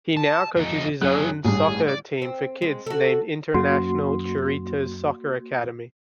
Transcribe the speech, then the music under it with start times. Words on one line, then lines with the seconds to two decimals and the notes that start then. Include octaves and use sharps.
He now coaches his own soccer team for kids named International Cerritos Soccer Academy.
0.17 A5
0.56 F2 D#4
1.01 F#2 F#3 G#4 F#6
1.45 A1 G2 G#4
1.88 D5
2.22 C4
2.62 G#3
2.86 F#4 A4
3.54 F#2 A#3 F#4 C6